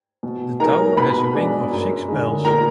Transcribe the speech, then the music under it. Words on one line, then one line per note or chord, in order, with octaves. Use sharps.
The tower has a ring of six bells.
B2
G#3 B3 D#4 A#4 A#5
B2 B4 B5
G#3 D4
F#2
D3 G#3
A#2 A#4 A#5